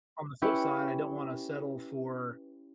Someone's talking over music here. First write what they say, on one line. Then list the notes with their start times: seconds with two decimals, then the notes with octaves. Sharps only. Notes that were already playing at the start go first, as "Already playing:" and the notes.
On the flip side, I don't wanna settle for
0.42 C#4 E4 G4 B4 C#5